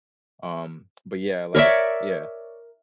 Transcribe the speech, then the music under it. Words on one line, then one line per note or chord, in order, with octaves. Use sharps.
Um, but, yeah, like Yeah.
A#4 C#5 D5 E5